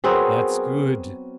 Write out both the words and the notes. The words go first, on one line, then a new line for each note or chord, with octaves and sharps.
That's good!
F#3 B3 C4 G#4 A#4